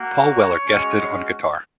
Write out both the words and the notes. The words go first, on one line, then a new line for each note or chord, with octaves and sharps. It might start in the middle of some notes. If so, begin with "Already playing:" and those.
Paul Weller guested on guitar.
Already playing: A#3 F#4
C#5
G#3 C#4 F#4